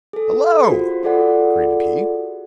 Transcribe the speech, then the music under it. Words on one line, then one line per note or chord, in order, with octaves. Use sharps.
"Hello!" greeted he.
G#4 A4
F4 F#4 C5
F4 F#4 G#4 A4 D5 F#5